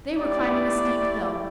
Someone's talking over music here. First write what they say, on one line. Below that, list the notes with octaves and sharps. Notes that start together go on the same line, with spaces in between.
They were climbing a steep hill.
A3 E4 G4 D5